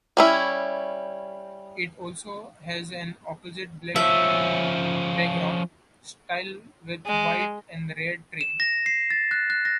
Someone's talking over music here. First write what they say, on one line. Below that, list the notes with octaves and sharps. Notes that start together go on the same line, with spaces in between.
It also has an opposite black background style with white and red trim.
G3 C#4 E4
F3 C#4 E5
G#3
E7
A#6
C7
A6
F#6
F#6
A#6